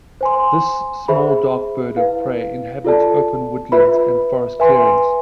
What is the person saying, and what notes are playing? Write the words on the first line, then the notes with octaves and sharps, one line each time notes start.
This small dark bird of prey inhabits open woodlands and forest clearings.
C5 G#5 C6
G#4 C5 E5 B5
E4 B4 F5
F4 A4 D5 A5
F4 B4 E5 B5
B4 E5 G#5 C6